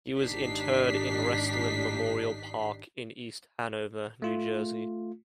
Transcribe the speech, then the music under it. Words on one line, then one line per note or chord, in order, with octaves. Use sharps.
He was interred in Restland Memorial Park in East Hanover, New Jersey.
G#1 D4 D#4 G4 B6 C7
A3 F4